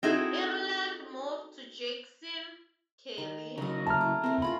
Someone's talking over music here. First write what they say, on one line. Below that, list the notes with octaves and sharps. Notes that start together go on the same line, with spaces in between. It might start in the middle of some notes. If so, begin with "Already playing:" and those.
Ireland moved to Jackson Kelly.
C4 D#4 E4 F#4 G#4 A4
D#3
C#3 F#3 A#4 D#5
A3 A5 A#5 F6
E4
A3 C4 A#4
C#4 F4 A4 B5